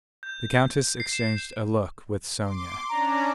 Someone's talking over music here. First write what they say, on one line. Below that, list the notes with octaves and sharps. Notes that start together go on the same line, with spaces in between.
The countess exchanged a look with Sonya.
G6
C7
E7
C6 D6
C#4 D4 D5 A#5